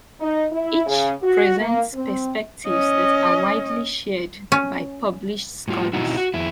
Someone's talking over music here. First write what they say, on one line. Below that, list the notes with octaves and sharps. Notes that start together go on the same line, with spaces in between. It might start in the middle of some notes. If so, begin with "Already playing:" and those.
Each presents perspectives that are widely shared by published scholars.
D#4
E4
C#3
F#4
A#3
C4
C#4 D#5
C#4
A2 G3 F4
B2 C4 D#4 E4 F#4
F#4
F2 E4